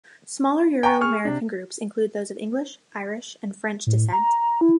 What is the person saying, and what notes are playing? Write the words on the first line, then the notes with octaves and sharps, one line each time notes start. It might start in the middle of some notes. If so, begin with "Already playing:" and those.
Smaller Euro-American groups include those of English, Irish, and French descent.
G5 G#5 A#5 C#6
G#4 C#6 F6
C3 D4
A2
A#5
E4